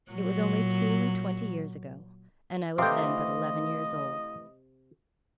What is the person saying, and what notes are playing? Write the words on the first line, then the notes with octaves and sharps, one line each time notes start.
It was only two-and-twenty years ago, and I was then but eleven years old.
A#2 F#3
C3 E3 A3 D#5 F5 G5 C6 D6